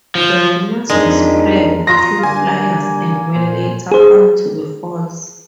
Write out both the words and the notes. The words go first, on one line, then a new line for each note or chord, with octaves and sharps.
The rumors were spread through flyers and were later found to be false.
F3
F2 G#3 D4 D#4 A#4
F4 A#5 C6 D#6 A#6
D3 G3 A#3 G#5
A#2 C5
G#4 C5